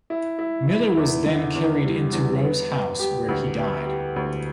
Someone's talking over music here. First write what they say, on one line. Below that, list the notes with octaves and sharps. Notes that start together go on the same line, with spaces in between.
Miller was then carried into Roe's house, where he died.
E4
E4
E4
E2
D3
E2
G3
E2
B3
B3
G4
D2
B3
G4
D2